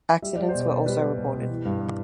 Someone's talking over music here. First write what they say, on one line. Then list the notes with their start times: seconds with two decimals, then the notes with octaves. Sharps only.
Accidents were also reported.
0.22 G3 E5
0.36 G3 D5
0.49 C5
0.54 B2
0.61 D5
0.70 B2
0.86 G3 B4
1.02 G3
1.18 B2
1.34 B2
1.49 E3
1.65 G2